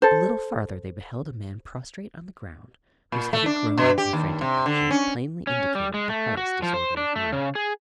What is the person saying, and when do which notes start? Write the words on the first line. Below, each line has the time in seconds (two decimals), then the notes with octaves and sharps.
A little farther they beheld a man prostrate on the ground, whose heavy groans and frantic actions plainly indicated the highest disorder of mind.
0.02 A4 C5
3.12 A#2
3.33 A3
3.46 D4
3.78 B2
3.98 G4
4.13 D#2
4.41 C3
4.66 D3
4.91 C#4
5.47 C#4
5.75 G3
5.94 G#3
6.09 A3
6.37 F#4
6.62 F3
6.74 C5
6.97 D4
7.16 A3
7.32 C#3
7.55 G#4